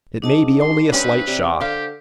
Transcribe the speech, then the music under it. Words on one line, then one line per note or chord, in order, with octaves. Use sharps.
"It may be only a slight shock."
G#2 D4 D#5 A5
C6
G2 G3 C#4 B4 C5
C3 D5
D3 G4 C5 F5